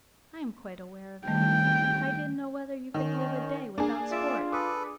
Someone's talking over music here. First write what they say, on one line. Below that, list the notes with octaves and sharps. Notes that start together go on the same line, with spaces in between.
"I am quite aware of that, but I didn't know whether you could live a day without sport."
D#3 G3 A3 G5
D#3 C#4
A#3 D4 G#4
F4 D5 E5
A4 B4 D6 D#6